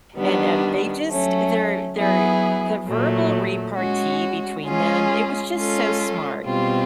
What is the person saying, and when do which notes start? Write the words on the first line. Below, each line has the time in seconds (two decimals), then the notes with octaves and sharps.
And, um, they just their their the verbal repartee between them, it was just so smart.
0.17 D#3 G3 B3 D4
1.07 F#3 A3 C#4
1.97 F#3 B3 E4 G#4
2.87 A#2 F#3 A3
3.75 G#3 C#4 F#4
4.65 G#3 C#4 F4 G#4
5.55 G#3 C#4 F4 A4
6.45 B2 G3 C4 F4